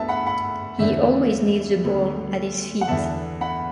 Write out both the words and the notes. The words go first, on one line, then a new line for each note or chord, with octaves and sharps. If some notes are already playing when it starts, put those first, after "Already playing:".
He always needs a ball at his feet.
Already playing: D2 D3 B3 E5 A5
F#5 B5
F#5 B5
E2 D3 A3 E5
D2 D3 F#3 B3
F#5
E2 D3 B3 E5 A5
F#5 B5